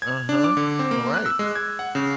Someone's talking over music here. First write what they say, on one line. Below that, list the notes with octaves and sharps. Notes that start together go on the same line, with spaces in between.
Uh-huh. Alright.
G#6
D4
D6
D3
C4
A#3
F#6
E6
G#3
G#6
F#5
C#3